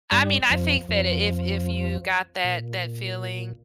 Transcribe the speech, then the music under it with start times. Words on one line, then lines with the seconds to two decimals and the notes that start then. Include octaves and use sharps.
I mean, I think that if if you got that that feeling,
0.11 G2 G3
0.50 F2 F3
0.89 F2 F3
2.44 A#2